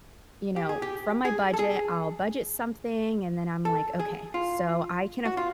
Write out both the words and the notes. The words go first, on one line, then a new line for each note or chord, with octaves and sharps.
you know, from my budget, I'll budget something, and then I'm like, "Okay, so I can aff"
G4
G#4
G4
G#4
A4
G#4
A4
G#4
F4
F#4
F4